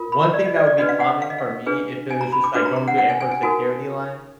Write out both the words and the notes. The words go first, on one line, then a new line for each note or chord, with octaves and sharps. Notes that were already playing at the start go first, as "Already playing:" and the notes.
one thing that would be calming for me if it was just, like, going through airport security line
Already playing: F4 A#4
B5
A#5
D5
D#5
D5
D5
D4 F#4 B4 D#5
F5
F#5
F5
D#5
F5
D4 G#4 B4
G#5
A#5
B5
D6
D4 F#4 B4 D6
A#5
A#5
F#5
F#5
G#5
G#5
G#5
D#4 F#4 A#4 G#5